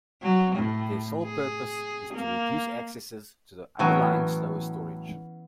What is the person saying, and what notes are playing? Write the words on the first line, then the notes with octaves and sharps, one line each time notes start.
Their sole purpose is to reduce accesses to the underlying slower storage.
F#3
A2
G#4
A#3
A2 E3 F#3 B3 C#4 G#5